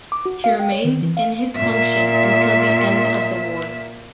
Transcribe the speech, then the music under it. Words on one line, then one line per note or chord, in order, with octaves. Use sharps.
He remained in his function until the end of the war.
D6
F#4
F5
G5
C#5
D#3
E3
F5
A#2 E5